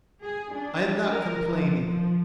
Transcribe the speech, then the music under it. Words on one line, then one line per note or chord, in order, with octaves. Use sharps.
I am not complaining.
G#4
D4
A#4
F3
F3